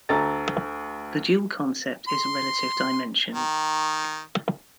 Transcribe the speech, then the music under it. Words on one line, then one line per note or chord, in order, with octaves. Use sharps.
The dual concept is relative dimension.
D2 A4 A#5 A6
C6
D#3